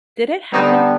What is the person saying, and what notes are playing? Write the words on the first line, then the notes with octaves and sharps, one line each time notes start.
Did it happen?
D3 G3 B3 C4 D#4